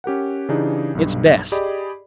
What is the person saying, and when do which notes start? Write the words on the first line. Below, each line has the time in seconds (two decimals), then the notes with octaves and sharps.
It's best.
0.04 C#4 G4 A#4 F#5
0.49 C#3 E3 D4 D#4 G4 G#4
0.95 B1 G2
1.52 G4 G#4 D5 D#5 B5